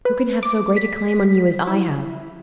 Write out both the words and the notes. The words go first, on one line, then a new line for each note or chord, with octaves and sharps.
Who can have so great a claim on you as I have?
B4
D6
B6
E4